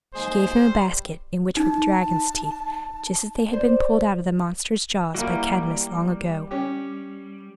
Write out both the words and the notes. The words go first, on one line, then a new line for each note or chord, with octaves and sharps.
She gave him a basket, in which were the dragon's teeth, just as they had been pulled out of the monster's jaws by Cadmus, long ago.
D#2 G#3 G#4 C5
G3
D#4 A5
C5 D5
G3 A#3 E4 F#4
C#4 G4